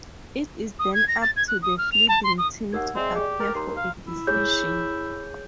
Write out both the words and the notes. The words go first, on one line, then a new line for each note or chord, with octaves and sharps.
It is then up to the fielding team to appeal for a decision.
D#6
G#6
A#6
A6
G#6
F#6
D#6
F6
F7
A5
C6
D#6
D#2 F#5 E6 G#6
G#3 C4 D5 E5
G4 G#4 D5
A#4 A6
D#2 A#5 C6 C7
F5
E4
G#4 C#5 G6